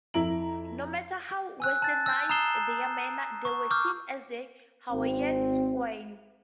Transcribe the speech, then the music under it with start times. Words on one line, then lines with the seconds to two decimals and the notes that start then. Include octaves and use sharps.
No matter how Westernized their manners, they were seen as a Hawaiian squaw.
0.14 F2 E4 A#5 D7 F#7
1.60 G#5 E6 F#6
1.82 A5 A6
2.06 E6 G6
2.29 A#5 D#6 E6 C7 E7 G7
3.45 C#6
3.70 C#6 D6 E6 F6 G6
4.91 G#1 C4